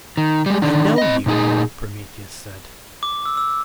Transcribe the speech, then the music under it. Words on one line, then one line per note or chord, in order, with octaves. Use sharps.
"I know you," Prometheus said.
D#3
G3 G#3
D#3 D4
C4 D#5
A#2 D#4 G#4
D6
E6
E6